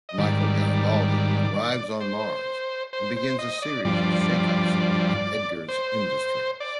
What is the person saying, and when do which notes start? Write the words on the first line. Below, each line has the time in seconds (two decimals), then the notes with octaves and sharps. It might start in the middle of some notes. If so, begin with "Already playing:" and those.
Michael Garibaldi arrives on Mars, and begins a series of shakeups at Edgars Industries.
0.09 D#5
0.18 G#2 D#3 G3 D5
2.01 C5
2.93 C5
3.16 C5
3.39 D#5
3.62 D5
3.85 G2 F3 D5
5.69 C5
6.60 D5